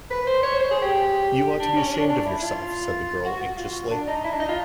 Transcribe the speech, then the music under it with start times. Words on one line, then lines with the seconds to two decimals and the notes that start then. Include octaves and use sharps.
You ought to be ashamed of yourself! said the girl, anxiously.
0.10 B4
0.27 C5
0.43 C#5
0.59 C5
0.71 G#4
0.82 G4
1.60 D4
1.76 C#4
1.92 D4
2.09 D4
2.25 E4
2.42 F4
3.25 F#4
3.41 F#4
3.57 F4
3.91 D4
4.08 D#4
4.24 E4
4.32 D4
4.40 D#4
4.49 F4